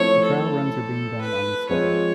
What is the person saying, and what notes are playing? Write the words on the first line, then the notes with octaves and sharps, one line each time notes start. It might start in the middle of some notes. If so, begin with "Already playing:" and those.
The Trial Runs are being done on this stretch.
Already playing: F3 A3 C4 E4 C#5
A4
B4
F3 G#3 C4 F4 C#5